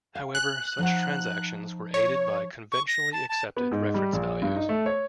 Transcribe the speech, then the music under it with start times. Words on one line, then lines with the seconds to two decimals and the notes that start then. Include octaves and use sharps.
However, such transactions were aided by conventionally accepted reference values.
0.15 F5
0.35 G#5 F#6
0.78 F3 D#4 F#5
1.94 C#5
2.72 C#6
2.87 A#6
3.13 A5
3.29 A5
3.57 B3
3.71 G#2
3.94 G3
4.13 A#1
4.42 G2
4.56 D#4
4.69 A3
4.86 C#5